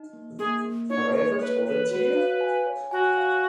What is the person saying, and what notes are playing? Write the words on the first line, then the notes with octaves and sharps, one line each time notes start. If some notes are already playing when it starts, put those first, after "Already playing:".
Have I ever told it you?
Already playing: D#4
A#3
A#3 G#4
A#3
D#4 C#5
A#3 C#5
B4 C#5
B4 C#5
F#4 B4
F5
G#5
C#5
F#4 G#5
F5